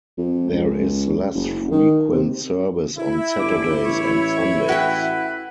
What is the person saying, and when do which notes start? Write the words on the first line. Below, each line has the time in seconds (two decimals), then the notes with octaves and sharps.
There is less frequent service on Saturdays and Sundays.
0.18 F2
0.50 C#2
1.34 F#1
1.71 D#3
2.10 C3
2.98 E4
3.40 G1 D6
3.85 A1 C#5
4.69 F#4 B4 G5